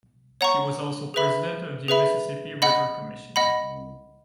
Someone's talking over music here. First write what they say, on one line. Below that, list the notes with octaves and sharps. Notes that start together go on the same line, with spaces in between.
He was also President of the Mississippi River Commission.
C#5 F#5 A#5 C#6
G#4 B4 E5 B5
G#4 B4 E5 B5
D#5 F#5 B5
D#5 F#5 B5